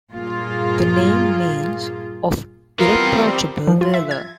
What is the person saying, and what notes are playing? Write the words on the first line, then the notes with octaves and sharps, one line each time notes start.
The name means "of irreproachable valor".
G2 A#2 A#3 F4 G#4
E3 G3 B3 C4 F4 A#4
F3
F4
E5
G#6